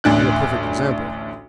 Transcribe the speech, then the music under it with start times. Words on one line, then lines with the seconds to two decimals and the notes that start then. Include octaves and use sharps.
I'm a perfect example.
0.04 A1 D2 D4 F#6